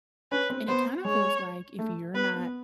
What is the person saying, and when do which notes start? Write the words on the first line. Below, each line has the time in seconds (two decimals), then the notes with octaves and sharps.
and it kinda feels like if you're not
0.32 C#4 B4
0.50 C4
0.68 B3 C5
1.05 G#3 C#5
1.79 A3
2.14 B3 B4
2.33 B3